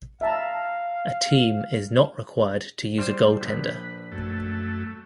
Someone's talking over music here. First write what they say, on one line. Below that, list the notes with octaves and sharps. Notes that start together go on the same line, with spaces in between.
A team is not required to use a goaltender.
E5 F5 A5 A#5
G3 C5
A#1 B4
F#2 A3